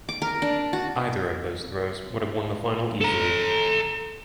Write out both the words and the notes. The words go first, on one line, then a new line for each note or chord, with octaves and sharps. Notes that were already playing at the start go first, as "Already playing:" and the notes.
Either of those throws would have won the final easily.
D6
A#4
D4
F#4
A4 A#5